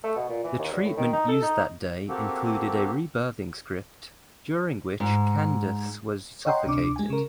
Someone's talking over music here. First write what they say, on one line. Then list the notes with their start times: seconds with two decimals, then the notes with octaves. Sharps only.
The treatment used that day included a rebirthing script, during which Candace was suffocated.
0.04 A3
0.16 B2
0.29 A#2
0.44 E3
0.59 D#2
0.73 E2
0.85 A2
0.97 D#3
1.13 D#4
1.28 A4
1.43 D#4
2.09 A#3 C4 F#4 G4 A4
5.00 G#2
6.45 C#5 D#5 F#5 G5 A#5 C6
6.66 D2 C3 D4 D6
6.96 G#3 G#5
7.10 C#3 A#4